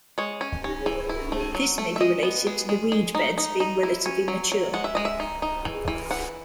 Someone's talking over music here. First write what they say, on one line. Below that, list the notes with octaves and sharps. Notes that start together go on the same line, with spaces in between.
This may be related to the reed beds being relatively mature.
G#3 C#5
C#4
C#4
E3
E4
A3
F#3
A3
E5
G#3 D#5
B3
G#3
G#3
G#3
D#4
D#4
D#4
E4
C#4
F#3
F#3
G#3 F#5
E5
G#3 D#5
E5
D#4
D#4
E3
E3
E3 F#5